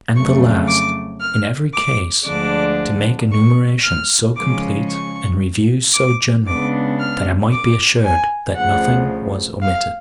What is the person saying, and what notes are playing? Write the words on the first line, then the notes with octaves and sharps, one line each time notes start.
And the last, in every case to make enumerations so complete, and reviews so general, that I might be assured that nothing was omitted.
F2 C#3 F#3 A3 C#6
D6
F6
D6
D2 D3 F3 G#3 D4 D6
C#6
F6
C#3 F3 G#3 C#4 D6
C#6
D6
C#3 G#3 B3 D4 D6
F6
D6
G#5
D2 C#3 F3 F#5
F5